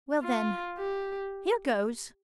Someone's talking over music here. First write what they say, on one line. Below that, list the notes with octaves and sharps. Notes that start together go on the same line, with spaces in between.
"Well, then--here goes!"
F4
G4